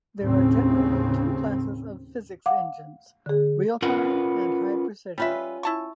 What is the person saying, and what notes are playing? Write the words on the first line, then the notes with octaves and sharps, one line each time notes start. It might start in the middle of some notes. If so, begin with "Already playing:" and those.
There are generally two classes of physics engines: real-time and high-precision.
D#2 A2 C#3 C4
F5 F#5 D6
D3 G#4
C#4 F4 A#4 B4 D#5 F#5
G3 C#4 F4 B4 E5
E4 A5 C#6